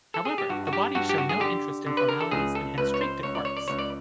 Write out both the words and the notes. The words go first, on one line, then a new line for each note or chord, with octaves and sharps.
However, the Wadi show no interest in formalities and head straight to Quark's.
A4
G#4
G4
G2 F#4
F#4
G4
G2 F#4
G4
F#4
G#4
D3 G4
D3
B4
A#4
A4
C#2 G#4
A4
C#2 B4
C#5
C5
C#2 C#5
D5
C#5
D5
C#2 C#5
D5